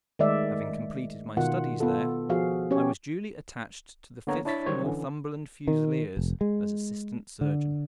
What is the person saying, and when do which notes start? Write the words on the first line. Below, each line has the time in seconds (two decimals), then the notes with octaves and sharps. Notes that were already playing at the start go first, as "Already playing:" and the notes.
Having completed my studies there, I was duly attached to the Fifth Northumberland Fusiliers as Assistant Surgeon.
0.19 D#3 G#3 A3 D5 E5
1.37 B2 D#3 F4 F#5
1.80 B3 F4 A4
2.29 F3 F#4 G#4 F5
2.71 C#4 G4 C#5
4.27 D3 A#3 B3 C#5 A#5
4.45 D4 E4 C#5 A6 B6
4.66 D#3 F#3 G3 C5 C#5
4.85 D3 E3 C#4
5.68 D#3
6.17 F1
6.41 G#3
7.41 D3